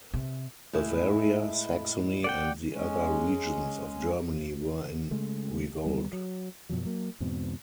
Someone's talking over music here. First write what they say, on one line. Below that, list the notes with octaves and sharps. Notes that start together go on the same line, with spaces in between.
Bavaria, Saxony, and the other regions of Germany were in revolt.
C3
A2 G#3 E4
D5 F#5 G5
G#3 C#4
C#3 G#3 A3
D#2 G3 B3
F#3
F#2 B2 F3 F#3
F#3 A#3
E2 G#2 B2 C4